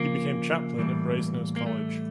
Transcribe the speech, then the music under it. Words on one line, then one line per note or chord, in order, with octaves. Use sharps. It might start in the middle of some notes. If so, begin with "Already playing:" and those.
He became chaplain at Brasenose College.
Already playing: C#3 F3 A#3
A2 E3 G3
A#3
A3